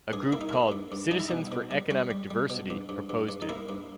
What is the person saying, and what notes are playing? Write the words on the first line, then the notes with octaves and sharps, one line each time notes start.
A group called "Citizens for Economic Diversity" proposed it.
G2 G#4
A#3 E4
D#4
A#3 E4
G2
G2
G3 D#4
E4
B2 D#4
B2
G3
G3 C#4
G3
G3
B2
G2
G2
G2
G2
D#4
A#3 E4
G2